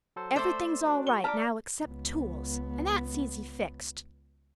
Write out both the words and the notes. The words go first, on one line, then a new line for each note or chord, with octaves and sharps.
"Everything's all right now except tools; and that's easy fixed."
F#3 A4 C5
A3 C5 D5 C6 E6
D4 F#4
C#6 G7
D5 A5 A#5 D6 F6 B6
C#2 B3